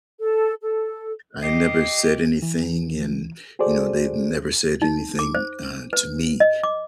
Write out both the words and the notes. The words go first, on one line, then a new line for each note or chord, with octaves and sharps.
I never said anything, and, you know, they never said anything, uh, to me.
A4
A4
G4 D#5 C7
E3
F#4 G#4 A4 C5 D5
D#4
D6
C5
B4
D#5
D6